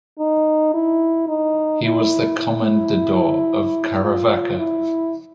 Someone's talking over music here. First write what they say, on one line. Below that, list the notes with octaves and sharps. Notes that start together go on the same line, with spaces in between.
He was the comendador of Caravaca.
D#4
E4
D#4
E4
E4
F4
E4